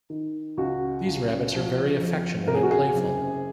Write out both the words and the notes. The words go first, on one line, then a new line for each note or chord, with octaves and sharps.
These rabbits are very affectionate and playful.
D#3
C#2 F#4
C#2
F3
F2
C3 A#4
G#4
F#4
G#4
F#1